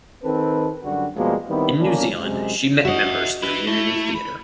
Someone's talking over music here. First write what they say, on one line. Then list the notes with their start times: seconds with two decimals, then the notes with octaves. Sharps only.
In New Zealand she met members through Unity Theatre.
0.24 D#3 C4 A4 B4
0.84 F#2 D3 G3 F#4
1.16 B2 F3 G3 G#3 A#3
1.48 D#3 G3 B3 C4 E4
1.80 B1 A#3 C#4 D4
2.20 F#2 C3 G#3
2.85 F#4 D#5 E5 F#5
3.42 E4 B4 B5
3.67 A3 E4
4.14 B5